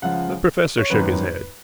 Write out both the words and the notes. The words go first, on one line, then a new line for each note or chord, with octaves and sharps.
The professor shook his head.
C#2 C#3 F3 F#5
C#5
G#1 F#2 D#3 F#3 B4